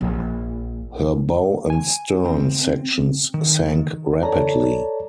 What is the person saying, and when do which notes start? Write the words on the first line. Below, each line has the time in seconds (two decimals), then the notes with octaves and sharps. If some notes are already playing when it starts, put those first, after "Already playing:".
Her bow and stern sections sank rapidly.
0.01 A#1
1.70 G#5
2.26 C4
3.34 D#3
3.66 D#3
4.23 A4 C#5 D5 A5 A#5